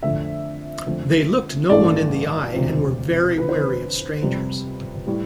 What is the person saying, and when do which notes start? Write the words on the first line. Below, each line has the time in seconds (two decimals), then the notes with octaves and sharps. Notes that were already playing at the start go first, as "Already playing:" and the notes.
They looked no-one in the eye and were very wary of strangers.
0.02 F2 D3 A3 C4 E5
0.86 F2 D3 A3 C4
1.70 A1 G2 E3 A3 D5
2.54 E1 D2 C3 F3 C4
3.38 E2 D3 F3 C4 B4
3.49 C5
3.58 B4
4.22 F2 C3 G3
5.07 A2 G3